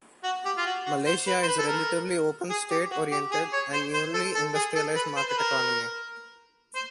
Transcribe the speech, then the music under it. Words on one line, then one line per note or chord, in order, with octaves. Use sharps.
Malaysia is a relatively open state-oriented and newly industrialised market economy.
F#4
G4
F4
F#4
F#4
C5
B4
C5
B4
A4
A#4
G#4
G4
F#4
G4
G#4
C#5
C5
C5
A4
A4
G#4
A4
B4
C5
B4
A#4
C5